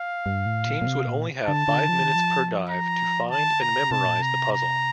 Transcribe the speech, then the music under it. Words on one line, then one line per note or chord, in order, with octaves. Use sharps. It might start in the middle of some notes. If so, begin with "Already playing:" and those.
Teams would only have five minutes per dive to find and memorize the puzzle.
Already playing: F5
G2
A2
A#2
A#2
C3
A#2
D3 A5
D3
F3
D#3
F3
A#5
D#3 A5
D3
A#5
C3
C3 A5
A#2
C3 A#5
A#5